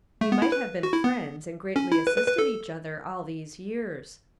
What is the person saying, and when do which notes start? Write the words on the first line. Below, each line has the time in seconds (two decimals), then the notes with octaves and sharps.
We might have been friends and greatly assisted each other all these years.
0.21 A3
0.32 B3
0.42 E4
0.52 B4
0.83 F#4
0.93 E4
1.04 B3
1.76 C#4
1.92 E4
2.07 B4
2.18 B4
2.28 B4
2.38 A4